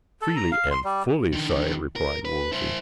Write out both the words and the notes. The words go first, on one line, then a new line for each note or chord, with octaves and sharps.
"Freely and fully, sire," replied Wolsey.
A4
A#5
F5
C6
G3
D3 D#3
A#4
B4
E4 C5